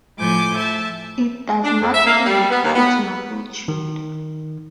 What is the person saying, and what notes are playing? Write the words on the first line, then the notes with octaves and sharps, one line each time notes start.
It does not predict its magnitude.
A2 F3 G#5 D6 G6
E5 A5
D4
F2
E5
A#3
G3
B3
D#2
B3
D#3